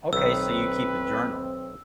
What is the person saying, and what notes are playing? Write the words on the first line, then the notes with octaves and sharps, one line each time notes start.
Okay, so you keep a journal.
B1 D#3 C4 B4 E6